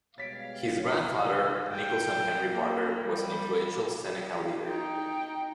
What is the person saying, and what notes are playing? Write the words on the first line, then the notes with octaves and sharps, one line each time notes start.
His grandfather Nicholson Henry Parker was an influential Seneca leader.
B2 G3 G#3 C#5 F5 A6 B6 D7
G5
A#3
G3
D#4 G5